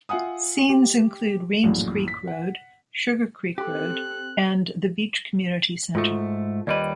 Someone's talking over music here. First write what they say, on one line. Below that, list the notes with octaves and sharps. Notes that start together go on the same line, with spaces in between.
Scenes include Reems Creek Road, Sugar Creek Road and the Beech Community Center.
F4 E5 F#5 G#5 D#6
G4
A#1 F#2 A2 E3
B6
F#5
C4 G4 A4 F#6
G#2 A3 F4 F#4 A4
D#2 G3 B4 D5 D#5